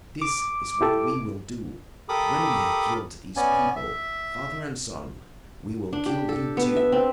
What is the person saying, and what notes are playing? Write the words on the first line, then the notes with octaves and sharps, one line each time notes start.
This is what we will do: when we have killed these people, father and son, we will kill you too.
D6
E4 G4 A4
G4 A4 A#4 B5 D6 D#6
B3 C#4 D5 G#5
E5
D4
G4
A4
B3
E5
C4